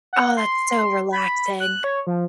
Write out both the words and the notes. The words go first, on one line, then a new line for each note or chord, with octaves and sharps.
Oh, that's so relaxing.
F#5
C6
B5
F#6
C#5
F3